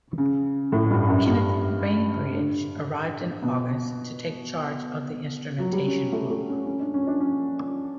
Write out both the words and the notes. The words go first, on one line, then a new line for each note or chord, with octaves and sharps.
Kenneth Bainbridge arrived in August to take charge of the Instrumentation Group.
C#3
A2
G2
F#2
G2
D3
B2
F#3
G3
C#4
A3
A3
C#4
C#4
D4
C#4
D4
C#4